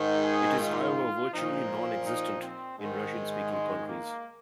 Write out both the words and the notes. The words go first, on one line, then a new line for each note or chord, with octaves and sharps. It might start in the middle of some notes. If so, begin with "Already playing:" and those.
It is however virtually non-existent in Russian-speaking countries.
Already playing: G#2 D#3
G#4
F4
A#2 F3 D#4
D#4
C4
G#2 D#3 G#3
G#3
A#3